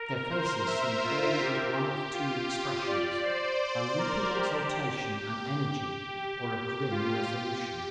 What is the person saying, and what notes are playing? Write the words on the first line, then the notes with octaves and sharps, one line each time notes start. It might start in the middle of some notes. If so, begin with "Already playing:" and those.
Their faces seemed all with one of two expressions--a leaping exultation and energy or a grim resolution.
Already playing: A#4
C5
E5
F4
G4
G4
F4
G4
D5
C5
C5
A#4
G4
G4
F4
G4